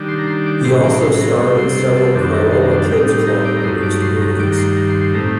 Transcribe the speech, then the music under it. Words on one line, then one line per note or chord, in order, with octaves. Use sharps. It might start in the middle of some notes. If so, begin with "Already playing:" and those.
He also starred in several Crayola Kids' Club-produced movies.
Already playing: D#3 G3 D4
C6
A#5
C6
D6
A2 F#3 C4 C6
D6
C6
A#5
C3 G3 C4
C6
C6
A5
F#2 D#3 G3 D4 A5
A#5
C6
A#5
C6
A5
A2 G3 C4 D#4 G5
G5
A#5
D6
A#5
G2 F#3 A3 D#4 C6
D6
C6
A#5
G2 D#3 G3 D6
A#5
C6
A#5
C6
C6
A2 A3 C4 D#4 A#5